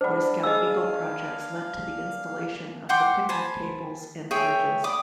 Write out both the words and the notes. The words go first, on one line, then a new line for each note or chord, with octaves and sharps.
Boy Scout Eagle projects led to the installation of the picnic tables and bridges.
G3 D4 C5 F#5
G#4 D#5 F5 E6
F#5 G5 C6 D6
C5 G#5 A5 B5
G#4 C#5 E5 G5
D5 B5 D6 D#6